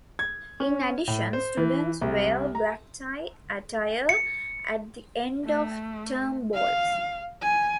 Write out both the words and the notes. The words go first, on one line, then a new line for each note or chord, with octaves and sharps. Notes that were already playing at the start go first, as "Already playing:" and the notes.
In addition, students wear black tie attire at the end of term balls.
G#6
C#4
A2
C5
E3
C2
A#5
C#7
A3
F5
G#5